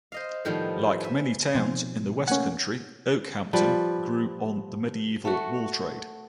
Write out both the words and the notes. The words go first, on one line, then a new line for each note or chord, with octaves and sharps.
Like many towns in the West Country, Okehampton grew on the medieval wool trade.
C5 D#5 F5
A2 D#3 F3 G3 B3 C6
E5 G#5
B2 F3 C4 D#4 C5 G#5
A3 A#3 C#4 F#5 G#5
F3 G3 B4
A3 F#4